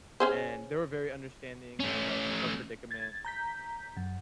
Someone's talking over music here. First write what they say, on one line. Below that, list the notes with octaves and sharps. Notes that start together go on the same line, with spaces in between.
and they were very understanding of, like, her predicament,
C#4 G#4 C5
A3 C#4
G#6 A6
A#5 G6 B6
F#2